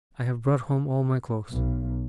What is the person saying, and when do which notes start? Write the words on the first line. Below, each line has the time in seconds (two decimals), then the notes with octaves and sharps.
I have brought home all my clothes.'
1.52 B1